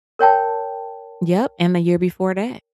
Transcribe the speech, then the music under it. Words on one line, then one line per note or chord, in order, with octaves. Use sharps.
Yep, and the year before that.
A#4 C#5 G5 A5